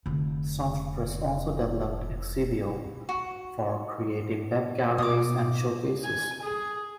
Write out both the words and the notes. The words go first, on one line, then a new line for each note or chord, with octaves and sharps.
Softpress also developed Exhibeo, for creating web galleries and showcases.
F1 D3
F#4
B2 D6 D#6
G#5
G#4